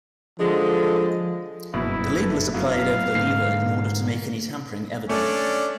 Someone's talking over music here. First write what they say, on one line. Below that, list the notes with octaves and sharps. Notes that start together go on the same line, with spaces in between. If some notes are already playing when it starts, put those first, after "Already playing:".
The label is applied over the lever in order to make any tampering evident.
D3 F3 G#3
F#1 G2 B2 F#3 A#3 E4 B5
A4 B4
F#3 B3 E4 F5
G#2 D3 A#3 D#4 C7
A3 C#4 D4 D5